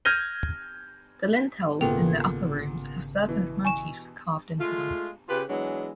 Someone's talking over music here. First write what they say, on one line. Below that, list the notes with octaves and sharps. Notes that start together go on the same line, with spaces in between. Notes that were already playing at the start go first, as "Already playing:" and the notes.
The lintels in the upper rooms have serpent motifs carved into them.
F6 G6 G#6 A#6 D#7 G7
G#1 A#2 C#3 A3 B3 G5 F7
B2 E3
G#5 C#6 E7
G#3 A3 F4
C#3 F4 G4 B4
E3 F#3 G#3 B3 D4